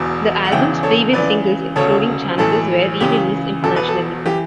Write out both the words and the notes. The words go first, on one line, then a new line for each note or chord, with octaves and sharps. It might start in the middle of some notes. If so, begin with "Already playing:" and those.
The album's previous singles - excluding "Chances" - were re-released internationally.
Already playing: E1 E2 B2
F#5
E1 E2 C#3 E3 E5 G5
A4 C#5
C#2 C#3 E3 B4 D5
E1 D2 C#3 A4 C#5
B1 A2 E3 A4
C#2 C#3 E3 G4
E1 E2 B2 A4
B4
A4
E3 G4